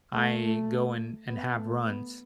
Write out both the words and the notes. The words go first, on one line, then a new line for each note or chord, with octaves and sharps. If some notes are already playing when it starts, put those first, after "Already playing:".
I go and and have runs,
A3
A3
B3
A3
B3